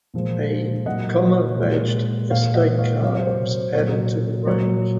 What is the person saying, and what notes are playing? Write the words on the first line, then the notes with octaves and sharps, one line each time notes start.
A Commer-badged estate car was added to the range.
A#2 F3 G#3
A#2 F#3 D#5 F#5
A#2 G#3
A#2 G#3 C#5 F5
D#5 F#5
C#5 F5
C3 F#3 C#5 F5
C5
C#5
C5
A#2 F#3 C#5
A#2 F#3 C#5